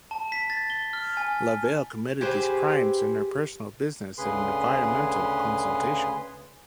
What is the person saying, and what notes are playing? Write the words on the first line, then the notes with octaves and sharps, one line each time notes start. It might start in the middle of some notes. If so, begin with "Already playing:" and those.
Lavelle committed these crimes in her personal business of environmental consultation.
A5
B6
A6
G7
F6
G#5
G4 G#4 B4 C5
D2 C#3 G#4 B4 C6